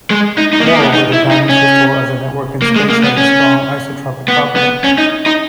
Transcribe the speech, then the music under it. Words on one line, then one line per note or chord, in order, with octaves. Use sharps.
Moreover, the diamond crystal as a network in space has a strong isotropic property.
G#3
D#4
D#4
A#3
B3
A#3
B3
D#4
E4
D#4
C#4
A#3
G#3
A#3
B3
C#4
B3
B3
C#4
D#4
D#4